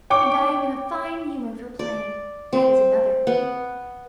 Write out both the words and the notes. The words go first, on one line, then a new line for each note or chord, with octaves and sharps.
And I am in a fine humor for playing--that is another.
C#5 G5 C#6 D6
D5
C4
B3